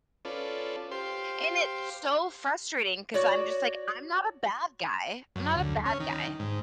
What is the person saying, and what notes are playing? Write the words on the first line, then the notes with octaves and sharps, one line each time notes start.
And it's so frustrating 'cause I'm just like, "I'm not a bad guy I'm not a bad guy.
C#4 F4 A4 B4 D5
G4 C5 F5 C6
F#4 C#5 D5
F#2
D2
C#4
D#3
G#2